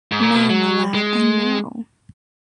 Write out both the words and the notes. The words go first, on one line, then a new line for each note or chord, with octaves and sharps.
No, my lad, I know.
G#2
A#2
B2
F#3
G#3